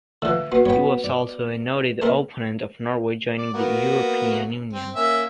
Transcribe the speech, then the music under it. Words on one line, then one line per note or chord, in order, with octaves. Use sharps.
He was also a noted opponent of Norway joining the European Union.
D3 F3 A3 B4
B3 F#4
B3 C#5 G5
D5
A3 C4 A#4
D5
A#3 B3 F#4
C4
A#3 C#4 E5